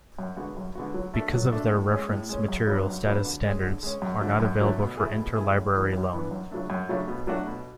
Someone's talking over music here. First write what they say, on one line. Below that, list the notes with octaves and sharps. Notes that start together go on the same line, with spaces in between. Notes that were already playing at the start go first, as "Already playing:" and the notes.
Because of their reference material status standards are not available for interlibrary loan.
F#2
D3 G#3 B3 F#4
F#2
D3 G#3 B3 F#4
F#3
A3 D4 A4
F#3
A3 D4 A4
A2
G#3 C#4
A2
G#3 C#4
F#2
C#3 F#3 B3 D4
F#2
C#3 F#3 B3 D4
D3
G#3 C#4
D3
G#3 C#4
F#2
D3 F#3 A3
F#2
D3 F#3 A3
B2
A3 E4 G#4
B2
A3 E4 G#4
F#2
E3 B3 D4
F#2
E3 B3 D4
F#2
C#3 F#3 A3 D4
F#2
C#3 F#3 A3 D4
B2
F#3 A3 D4 F#4
B2